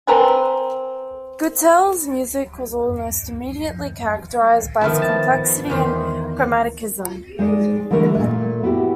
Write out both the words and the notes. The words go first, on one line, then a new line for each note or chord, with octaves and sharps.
Guettel's music was almost immediately characterized by its complexity and chromaticism.
C4 A#4 B4 G#5
D#3 F3 B3 E4
A5
E2 D#3 C5
G#3 D#4 G#4 D5
D3 E3 G3 A3 A#4
A#2 A3
B3 E4 F#4 G4